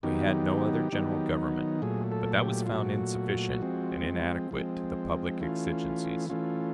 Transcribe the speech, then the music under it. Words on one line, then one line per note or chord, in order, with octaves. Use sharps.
We had no other General Government. But that was found insufficient and inadequate to the public exigencies.
D#3 F#3 B3 D#4 G4
D#3 F#3 B3 D#4
A#2 F#3 A3 G#4
A4
G4
F4
A#2 F#3 A3 F#4
F3 G#3 C4
F3 G#3 C4
E3 A3 C#4 F4
E3 A3 C#4 F4